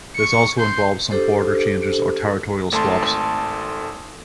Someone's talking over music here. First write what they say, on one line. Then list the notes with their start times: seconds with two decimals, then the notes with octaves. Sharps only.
This also involved some border changes or territorial swaps.
0.16 C#6 C#7
0.58 C6 G6
1.11 D4 G4 A4 C5
2.72 G#1 A3 A5 C6